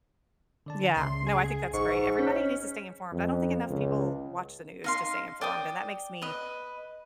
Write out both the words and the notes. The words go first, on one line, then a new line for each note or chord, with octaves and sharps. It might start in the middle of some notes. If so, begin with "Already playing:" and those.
Yeah. No, I think that's great. Everybody needs to stay informed, I don't think enough people watch the news to stay informed, and that makes me
D3 D5 A5
C#2 C#3 E5 C6
G#4
A#1 G#2 C#6
C#4 G6 B6
F2
C#2
D#4 F5 C6
D5 G5 D#6
B4 D#5